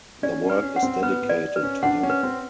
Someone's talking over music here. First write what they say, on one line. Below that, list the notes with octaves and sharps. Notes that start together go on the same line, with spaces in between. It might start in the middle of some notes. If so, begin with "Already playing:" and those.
The work is dedicated to him.
C#4 D5
C#4
B4
C#4
F#5
C4
B3 B4
B3
D5
B4
C#4
D4 F#5
C#4
B4
C4